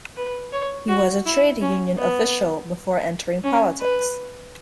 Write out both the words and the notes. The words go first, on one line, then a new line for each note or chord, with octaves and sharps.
He was a trade union official before entering politics.
B4
C#5
F#4
E4
C#4
B3
C#4
B4